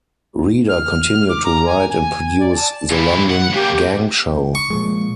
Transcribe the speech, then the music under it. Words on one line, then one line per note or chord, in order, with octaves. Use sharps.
Reader continued to write and produce the London Gang Show.
F6
D6
A#5
G#5
G#5
D5
A5
A#2 E4
F#5
C#3 A#3 G4
C#6
A#2 F3 G#3